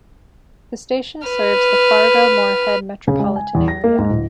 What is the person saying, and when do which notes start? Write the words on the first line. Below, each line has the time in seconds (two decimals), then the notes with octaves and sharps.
The station serves the Fargo-Moorhead metropolitan area.
1.27 B4 F6
3.08 C#3
3.19 G#3
3.36 G#5
3.55 E2
3.68 A#6
3.84 A#3
3.98 G#2
4.10 D1